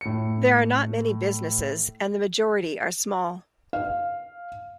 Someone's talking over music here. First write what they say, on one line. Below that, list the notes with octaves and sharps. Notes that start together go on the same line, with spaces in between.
There are not many businesses, and the majority are small.
A2 C#7
F5